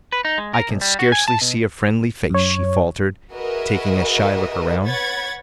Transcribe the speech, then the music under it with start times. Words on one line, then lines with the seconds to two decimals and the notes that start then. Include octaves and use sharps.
"I can scarcely see a friendly face," she faltered, taking a shy look around.
0.12 B4
0.25 D#4
0.38 G#3
0.54 A#4
0.69 B1
0.81 G3
0.99 F#4
1.12 G#5
1.28 A5
1.41 B2
2.30 F#2 C#5
3.32 F#4 G#4 A#4 B4 D#5 E5
4.85 B4 C#5 F#5 B5 G#6 A6